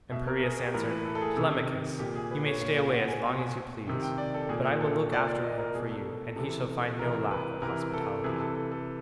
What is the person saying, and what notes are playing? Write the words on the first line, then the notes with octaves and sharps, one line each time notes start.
And Piraeus answered, "Telemachus, you may stay away as long as you please, but I will look after him for you, and he shall find no lack of hospitality."
B2 E5
A#4
G#4
G4
A2 E3 A#4
B4
A4
A4
G#4
C3 D#3
A#2 G4
G#4
B4
C#5
A#2 C#5
F5
F#5
G#5
B2 G5
G#5
C3 D#3 G5
G5
D5
A4
A#2 G#4
G#4
A4
A#2 D5
D5
D#5
A#4
B2 G#4
A4
C3 E3 A4
C3 E3 A#4
B4
C3 E3 A#4
A4
C3 E3 G#4
A4
A4
A4